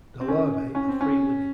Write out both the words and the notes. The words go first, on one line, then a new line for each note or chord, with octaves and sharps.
The larvae are free living.
C4
C#4
C#4
C4
C#4